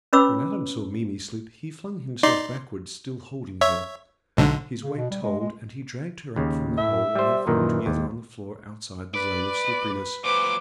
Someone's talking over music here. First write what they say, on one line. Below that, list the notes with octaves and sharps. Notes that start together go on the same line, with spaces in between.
When Adam saw Mimi slip, he flung himself backward, still holding her. His weight told, and he dragged her up from the hole and they fell together on the floor outside the zone of slipperiness.
C#4 B4 C#5 B5 D6 E6
D#4 D5 C6
C#5 E5
B1 G#2 D3
C#3
B2
G3
G#3
G#3
D#2 C#3
A2 E5
G3 C5
F#2 A#2 D#3 E3
D#2
B4 D5 B5
A#2 F#3 B4 C5 D6